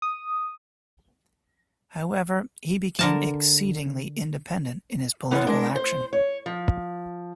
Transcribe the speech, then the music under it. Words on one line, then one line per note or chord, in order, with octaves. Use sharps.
However, he became exceedingly independent in his political action.
D#6
D3 A#4 A5
F#2 E3 B3 C4
G#3 D4 A#4
C5
C#5
F3